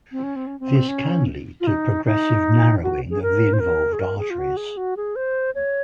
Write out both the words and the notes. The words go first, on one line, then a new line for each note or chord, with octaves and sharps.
This can lead to progressive narrowing of the involved arteries.
C4
C#4
C4
C#4
C4
C#4
F4
D#4
D#4
F#4
G#4
A#4
C5
A#4
G#4
A#4
G#4
F4
F#4
G#4
F#4
G#4
C5
C#5